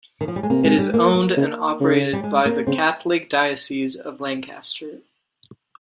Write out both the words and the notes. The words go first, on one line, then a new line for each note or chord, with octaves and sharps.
It is owned and operated by the Catholic Diocese of Lancaster.
D#3
F3
G3
G#3
C3 A#3
G#3
G3
A#3
A#3
C#3
C#3
G3
G#3
A#3
C#3 C4